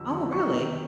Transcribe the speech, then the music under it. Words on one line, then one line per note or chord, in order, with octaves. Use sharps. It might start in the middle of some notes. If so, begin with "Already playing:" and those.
Oh, really?
Already playing: F2 D3 G3 E6
D3 G3
F#2 C#6
D#3 G3